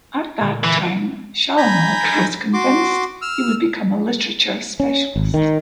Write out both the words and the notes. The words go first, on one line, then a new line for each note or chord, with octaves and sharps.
At that time Shalamov was convinced that he would become a literature specialist.
A#2 D3
E3
G#5 A#5 B5 G6
F#4 C6 D6
E6 F6
C#4
G#1
D#3